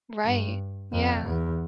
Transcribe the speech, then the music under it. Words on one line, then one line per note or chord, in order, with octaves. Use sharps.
Right. Yeah.
G2
F2
E2